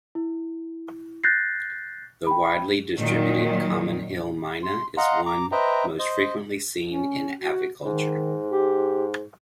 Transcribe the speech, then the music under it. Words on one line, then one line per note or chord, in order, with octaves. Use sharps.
The widely distributed common hill myna is the one most frequently seen in aviculture.
E4
F#6 G6 A6 A#6 C7
G5 B5
A#2 D#3 F#3
C6
D#5 F5 F#5 A#5 C6
A#5 D6
B4 C5 D#5 E5 G5 A#5
C5 D#5
C#4
F#4
G#2 D#3
G4